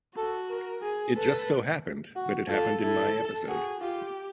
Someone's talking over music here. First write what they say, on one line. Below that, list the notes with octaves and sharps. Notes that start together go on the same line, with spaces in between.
It just so happened that it happened in my episode.
F#4 A4
A#4
G#4
A4 B4
F#4
F4 A4
E4 A4
F#4 G#4
F4 G4